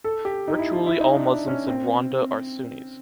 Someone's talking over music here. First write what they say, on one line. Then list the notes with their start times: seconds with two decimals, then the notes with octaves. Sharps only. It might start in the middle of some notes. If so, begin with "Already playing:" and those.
Virtually all Muslims in Rwanda are Sunnis.
0.04 A4
0.25 G4
0.48 D#4
0.59 E4
0.73 F4
0.86 E4
1.00 D#4
1.13 D4
1.27 D4
1.48 C#4
1.68 C4